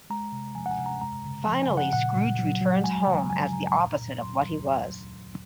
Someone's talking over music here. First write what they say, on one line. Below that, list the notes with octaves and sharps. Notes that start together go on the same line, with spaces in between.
Finally Scrooge returns home as the opposite of what he was.
G#3 A#5
C3
F3 G#5
F#5
G#5
C3
A#5
G#3 A#5
C#3
F3
G#5
C#3
F#5
A#2 F#5
A#2
F#3
F#3
G#3 G#5
G#5
C#3
A#5
F3 G#5
C#3 A#5
A#2
A#2
F#3 C6
F#3